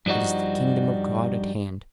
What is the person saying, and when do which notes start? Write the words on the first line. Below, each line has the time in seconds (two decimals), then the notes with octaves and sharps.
It is the Kingdom of God at hand.
0.06 G2 F3 G3 D#4 F#4